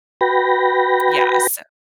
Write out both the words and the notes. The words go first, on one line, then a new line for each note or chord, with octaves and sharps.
yeah, so
F#4 B4 G5 B5 A#6